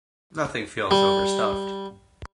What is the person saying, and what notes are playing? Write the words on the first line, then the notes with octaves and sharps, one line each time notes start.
Nothing feels overstuffed.
G3